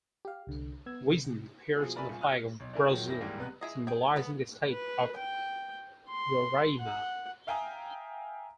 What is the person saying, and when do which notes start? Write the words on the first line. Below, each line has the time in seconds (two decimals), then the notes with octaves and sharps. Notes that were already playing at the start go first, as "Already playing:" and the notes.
Wezen appears on the flag of Brazil, symbolising the state of Roraima.
0.25 G4 F5
0.47 C2 D3
0.86 B3 E6 G#6
1.02 C3
1.77 B2 F3 G#4
1.96 A#4 B4 D5 E5 G#5 B5
2.09 D#1 A#2 G#5
2.21 D#6 F6 F#6
2.60 B1
2.73 D4 E4 A#4 G#5
2.87 D#3 F3 F#3 G#3
3.07 F#2 D#3 E4 A#6
3.21 D#2 G#2 E3 G3 A#3
3.38 B1 C3 B3 B4 B5 F#6
3.61 E4 G#4 D#5
3.87 G#4 G5
4.16 B3 B4
4.70 B4
5.17 G5
6.08 C6
6.79 F#5
7.47 E5 F5 G5 G#5 A#5 D#6